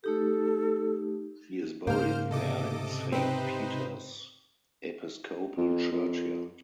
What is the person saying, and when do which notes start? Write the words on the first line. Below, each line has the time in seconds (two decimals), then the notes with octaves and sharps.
She is buried there in Saint Peter's Episcopal Church yard.
0.04 A3 D#4 G4 A4
1.87 G#2 C#3 A#3 C5 F6 G6
2.31 C3 A4 D#5 D6
3.12 C4 D#4 B4 C5
5.57 F2
5.92 F2